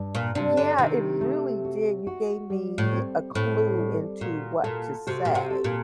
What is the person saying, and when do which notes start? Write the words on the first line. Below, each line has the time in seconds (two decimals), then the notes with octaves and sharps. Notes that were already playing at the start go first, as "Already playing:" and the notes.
Yeah, it really did, you gave me a clue into what to say.
Already playing: G2 D4
0.15 A#2
0.35 C3 D4
0.57 D3
0.78 C3 D#3
1.21 A3
1.64 F#4
2.07 F#4
2.50 G3
2.78 A2
2.93 C4
3.35 A2 C4
3.78 G3
4.21 A#2 F#4
4.63 A#2 A4
5.07 C3 F#4
5.25 A#2
5.35 C3
5.50 A4
5.64 A#2